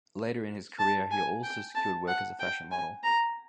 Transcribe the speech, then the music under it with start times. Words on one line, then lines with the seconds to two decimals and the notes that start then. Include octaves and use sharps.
Later in his career he also secured work as a fashion model.
0.79 A5
1.11 G#5
1.43 G5
1.75 A5
2.08 F#5
2.39 G5
2.71 G#5
3.04 A#5